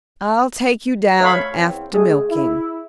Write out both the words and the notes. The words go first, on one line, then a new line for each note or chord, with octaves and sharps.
"I'll take you down after milking."
A3 C#5 F5 B5
E2 C4
D3 G#3 A3 G#4
E4